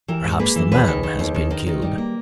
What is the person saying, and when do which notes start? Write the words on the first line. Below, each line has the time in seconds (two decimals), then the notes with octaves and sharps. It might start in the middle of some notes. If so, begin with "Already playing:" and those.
Perhaps the man has been killed.
0.08 E3 G4 A#4
0.24 G#2
0.39 A#3 G#4 B4
0.56 E3
0.72 D#2 G#4 B4
0.87 D#3
1.03 D#3
1.19 D#2
1.34 D#3
1.50 D#3
1.66 D#3
1.82 G3
1.98 A#3